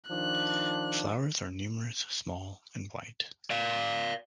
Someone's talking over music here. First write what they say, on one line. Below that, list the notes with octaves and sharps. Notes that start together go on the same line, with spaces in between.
Flowers are numerous, small, and white.
D#3 F3 D4 F#6
D5 F5